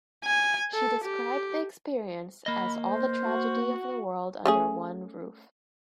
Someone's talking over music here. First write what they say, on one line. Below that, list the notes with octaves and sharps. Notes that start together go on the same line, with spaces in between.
She described the experience as all the tragedy of the world under one roof.
G#5
A4
G4
A#3 D#5 B5
C5
F#4
A3 C#4 G#4